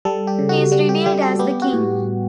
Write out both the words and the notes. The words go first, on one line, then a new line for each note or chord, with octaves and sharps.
He is revealed as the King.
G3 A4
G4
C#3
F#4
G3 F#4
G4
G3 G4
A4
B3 G4
F#4
A2